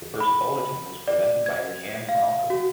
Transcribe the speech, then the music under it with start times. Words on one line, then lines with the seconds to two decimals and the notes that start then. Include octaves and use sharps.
The first bulletin was presented by Leanne Malcolm.
0.20 B5
1.07 D5
1.46 G#6
2.09 F5
2.50 F#4